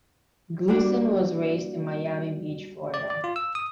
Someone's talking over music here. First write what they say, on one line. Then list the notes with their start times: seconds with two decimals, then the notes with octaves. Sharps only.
Gleason was raised in Miami Beach, Florida.
0.68 G3 A#3 D4 F#4
2.94 D5
3.10 D5
3.24 F4
3.36 E6
3.55 D#6